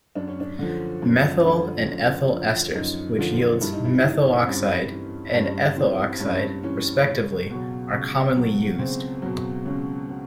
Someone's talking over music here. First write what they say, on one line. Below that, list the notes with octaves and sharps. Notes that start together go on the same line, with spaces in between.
Methyl and ethyl esters, which yields methoxide and ethoxide, respectively, are commonly used.
F#2 D4
C#4
D4
D3 F3
F#2
D3 F3
F#2
D3 F3
F#2 D#4
D3 F3 F4
G2 E4
D#4
E4
E3 D#4
C4
G2 C#4
E3
G2 C#4
E3 C4
G2 C#4
E3 C#4
C#2
B2 F#3
C#2
B2 F#3
C#2 C4
B2 F#3
C#2 C#4
F#3